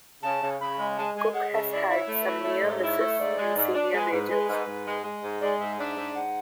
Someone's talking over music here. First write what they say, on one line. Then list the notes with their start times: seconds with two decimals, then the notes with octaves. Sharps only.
Cook has had some near-misses in senior majors.
0.22 C#3 A5
0.41 C#3
0.60 C#3 B5
0.77 G#3
0.97 G#3 A5
1.15 G#3 G#5
1.33 G#3 F#5
1.51 C#3 E5
1.71 E4 D5
1.87 E4 D5
1.95 C#5
2.07 A3
2.20 B4
2.25 E4
2.44 A3 C#5
2.63 G#2
2.81 E4
2.99 A3
3.18 G#2 D5
3.37 G#3
3.55 G#2
3.74 D4
3.92 G#3 B4 C#5
4.11 G#2
4.29 G#3
4.48 G#2
4.66 G#2
4.85 G#3
5.03 G#3
5.22 G#2
5.40 G#3 D5
5.58 G#2 E5
5.78 D4 E5
5.96 G#2 E5
6.14 G#2 F#5